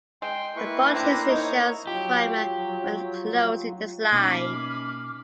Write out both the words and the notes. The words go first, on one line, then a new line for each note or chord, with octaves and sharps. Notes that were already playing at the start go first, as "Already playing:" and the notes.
A bolt hits the shell’s primer when closing the slide.
G#3 G5 C6
A#3 E4 B4 C#6
A3 C4 D4 C5 A#5
D#4 C#5
F#3 F4 G4
B2 A#3 C#4 D#4 B5 D6 F6 C7